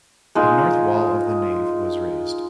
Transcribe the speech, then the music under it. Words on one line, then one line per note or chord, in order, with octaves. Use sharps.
The north wall of the nave was raised.
G#3 D#4 F4 A#4